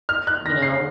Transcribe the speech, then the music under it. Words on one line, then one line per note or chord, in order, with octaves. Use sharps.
you know,
F6
F#6
A#6
C7